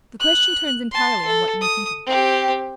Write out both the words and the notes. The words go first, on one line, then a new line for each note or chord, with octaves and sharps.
The question turns entirely on what you think of me.
F#6
A5 C6
A4
D#6
C4 G4